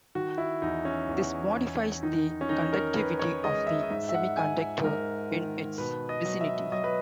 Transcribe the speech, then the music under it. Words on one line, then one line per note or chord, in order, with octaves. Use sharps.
This modifies the conductivity of the semiconductor in its vicinity.
D#3 F#4
E4
E2 D#4
C#4
E2
E2
D#3 D#4
C#4
D#3 D#4
A#4
D#3 B4
C#5
G#3 D#5
E5
D#5
G#2 E5
E5
F#5
G#2 G#5
E5
G#2 A#4
D#3
B2 B4
D#5
F#3
E5
F#3 D#5
B4